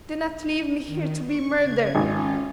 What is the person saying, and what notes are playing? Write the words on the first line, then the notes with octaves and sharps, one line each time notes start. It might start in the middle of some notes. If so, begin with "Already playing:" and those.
Do not leave me here to be murdered!
D#3
C#6
C#3 G#6
G#1 C#4 F4